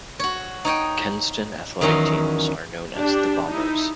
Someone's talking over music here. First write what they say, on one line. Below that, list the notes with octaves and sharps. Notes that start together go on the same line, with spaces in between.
Kenston athletic teams are known as the Bombers.
F#4 C#5
D#4 C#5 D#5 G5
E2 D#3 F#3 C#4 A#5 C6
D4 G4
D#4 E4